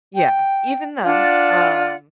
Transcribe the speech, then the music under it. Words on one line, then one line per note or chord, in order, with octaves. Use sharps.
yeah, even then, um
G5
D4 F4 D5 F#5